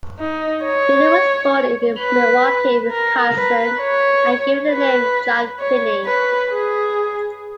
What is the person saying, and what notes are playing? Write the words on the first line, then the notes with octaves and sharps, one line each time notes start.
Finney was born in Milwaukee, Wisconsin and given the name John Finney.
D#4
C#5
B4
A#4
B4
C#5
B4
C#5
B4
G#4